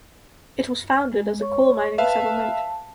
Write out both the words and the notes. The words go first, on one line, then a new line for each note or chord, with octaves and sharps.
It was founded as a coal mining settlement.
G#3
C#5 C#6
B4 E5 F5 A5